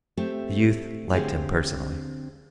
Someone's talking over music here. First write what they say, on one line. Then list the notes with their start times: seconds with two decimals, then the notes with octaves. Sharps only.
The youth liked him personally.
0.17 A3 C4 G4 A4
1.13 D3 C4 G4 G#4 F5